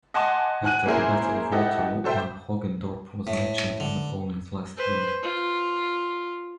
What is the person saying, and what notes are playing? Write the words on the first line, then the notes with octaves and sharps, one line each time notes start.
After the Battle of Waterloo Van Hogendorp was mentioned in Napoleon's last will.
D#5 F#5 G#5 A5 C6 D6
D#3 F#5 G#5 F#6 D#7
A#3 C#4 E4 G#4 A#4 C5
E4 G4 A4 D#5 F#5
F#4 A4 C5 E5 G5
A2
D3
B4 C5
F4